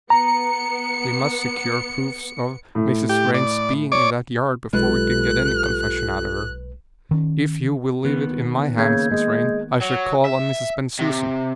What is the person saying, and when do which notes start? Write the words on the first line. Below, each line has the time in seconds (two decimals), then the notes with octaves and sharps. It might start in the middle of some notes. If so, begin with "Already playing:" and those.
"We must secure proofs of Mrs. Vrain's being in that yard before we can get any confession out of her. If you will leave it in my hands, Miss Vrain, I shall call on Mrs. Bensusan."
0.10 B3 A#5 C#7
2.75 A2
3.09 G4
3.34 D5
3.92 C#5 D5 D6
4.73 B1 G#3 F4 G4 A4 B4 F#6
7.11 D#3 C#4
8.05 D#3 B3
8.78 C#3 A#3 G6 G#6
9.11 G#3
9.81 F#3
10.25 E5
10.99 C3